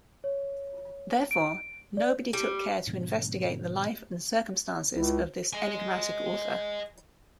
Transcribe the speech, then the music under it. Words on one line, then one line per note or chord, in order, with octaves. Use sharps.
Therefore, nobody took care to investigate the life and circumstances of this enigmatic author.
C#5
D7
D5
G3
G#2 B2 D3 F3
C#2 E4
D#5 G#5